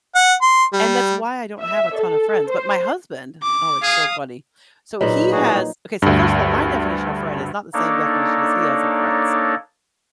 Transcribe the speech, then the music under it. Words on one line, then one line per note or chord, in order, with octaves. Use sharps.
and that's why I don't have a ton of friends, but my husband oh, it's so funny. So, he has okay, so, first of all, my definition of friend is not the same definition as he has of friends
F#5
C6
G3
E5
A4
C5
D6
G#4 F5 D#6
E2 A#2 F#3 D#4 B5
A2 F#4 G#4
D2 G2
A#3 D4 D#4 A4 C#5 D5